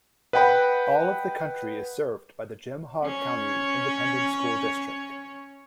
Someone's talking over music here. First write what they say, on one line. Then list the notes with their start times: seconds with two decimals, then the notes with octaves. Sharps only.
All of the county is served by the Jim Hogg County Independent School District.
0.33 B4 D#5 F#5 G5 B5
3.04 C#4 C#5